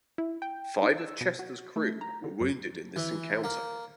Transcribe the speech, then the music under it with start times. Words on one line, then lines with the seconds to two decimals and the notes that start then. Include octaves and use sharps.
Five of "Chester"s crew were wounded in this encounter.
0.18 E4
0.42 G5
0.82 D#4
0.98 E6
1.21 B2
1.39 F#4
1.76 A3
2.01 A#5
2.24 D3
2.40 F#2
2.96 E3
3.44 A#3